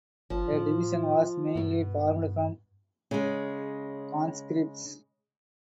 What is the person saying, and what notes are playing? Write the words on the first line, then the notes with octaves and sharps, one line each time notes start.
The division was mainly formed from conscripts.
G1 F3
A2
G2 B2 B3
C#3 G#3